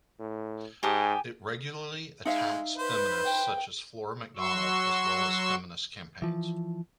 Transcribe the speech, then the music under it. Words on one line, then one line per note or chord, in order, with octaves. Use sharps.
It regularly attacks feminists such as Flora MacDonald as well as feminist campaigns.
A2
G#2 G4 G#5 A5 D#6
G#3 D#4 E5 F5
B4 C5
G5
F#3 F#4 C6 C#6 E6
E3 F3